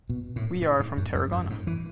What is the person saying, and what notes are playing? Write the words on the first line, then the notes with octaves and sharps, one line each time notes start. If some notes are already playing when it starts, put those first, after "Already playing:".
We are from Tarragona.
B2
A2
G#2
G#2
F#2
F#2
F#2
G#2
E3